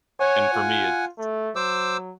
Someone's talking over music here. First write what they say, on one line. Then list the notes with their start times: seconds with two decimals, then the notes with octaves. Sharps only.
And for me, it's
0.20 C#5 F#5 G#5
0.54 F4
1.18 A3
1.56 F#3 C5 D6 E6